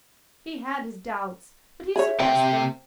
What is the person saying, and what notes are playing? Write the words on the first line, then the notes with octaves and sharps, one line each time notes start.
He had his doubts, but he suppressed them.
G#4 C#5 E5
C3 C4 G5